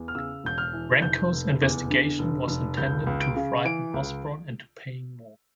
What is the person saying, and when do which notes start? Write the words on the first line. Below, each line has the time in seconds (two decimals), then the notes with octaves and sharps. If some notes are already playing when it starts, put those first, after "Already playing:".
Renko's investigation was intended to frighten Osborne into paying more.
Already playing: E2
0.08 F6
0.15 C#3 E6
0.44 E1 G6
0.58 F6
0.73 E3
1.02 F1 G6
1.32 F1
1.61 E2
1.90 D3
2.19 F1
2.48 F1
2.77 C#2 G6
3.07 C#2
3.21 D7
3.36 C#3
3.65 E3 D7
3.94 C#2